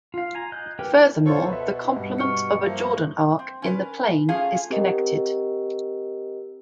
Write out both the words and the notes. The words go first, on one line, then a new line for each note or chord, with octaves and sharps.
Furthermore, the complement of a Jordan arc in the plane is connected.
F4 F5
G#5 A#5
D#5 F#6 G6
G4 A#4 B4 G5
E4 F#4 D5 E5 A5
F4 A4 C5 C#5 C#6
B2 B4 E5
G2
C#6 F6 C#7
F3 A#3 E5
C4
C#4 A#4 B4
A3 C#4 F4 G#4 F5
C4 G4 A#4 D#5